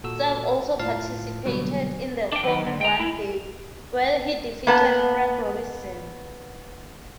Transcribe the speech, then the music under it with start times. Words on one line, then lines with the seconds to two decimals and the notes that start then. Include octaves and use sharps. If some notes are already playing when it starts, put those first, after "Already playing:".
Cerv also participated in the Home Run Derby, where he defeated Frank Robinson.
0.04 A#2 F#4 A4 E6
0.79 A2 F4 F5 A5
1.45 B2 D3 F#3 G3 A#3
2.32 D4 G5
2.44 D#3 F#3
2.66 D3
2.81 G5 A#5
2.99 E4
4.67 A#3 B3 A5